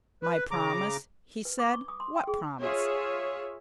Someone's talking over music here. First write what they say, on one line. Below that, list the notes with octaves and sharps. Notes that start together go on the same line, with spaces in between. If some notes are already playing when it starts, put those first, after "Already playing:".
"My promise," he said, "what promise?"
B4
C#3 A#5 D6
B4
D6
C#6
D#6
C6
G5
G#4
F4 G#4 C#5 E5